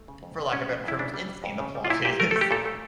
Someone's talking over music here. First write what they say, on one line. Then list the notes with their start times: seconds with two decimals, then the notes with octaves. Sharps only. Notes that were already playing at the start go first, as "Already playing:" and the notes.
for lack of better terms, insane the plot is.
Already playing: A3
0.08 C#3
0.23 F2
0.38 F2
0.53 G3 C#4
0.69 F2
0.84 F2 E4
0.99 C#3 D4
1.14 G3
1.29 G3
1.44 F2
1.60 C#3
1.75 G3
1.85 F4
1.90 A#2 E4
2.05 A#2 G4
2.19 A3 A#4
2.31 A3 A4
2.41 G4
2.51 A#2 A4
2.65 A3